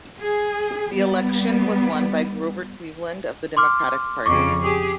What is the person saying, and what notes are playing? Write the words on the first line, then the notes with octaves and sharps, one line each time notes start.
The election was won by Grover Cleveland of the Democratic Party.
G#4
G3 B3
C6 D6 F6
F2 C#3 C#6 D6
G4 G#4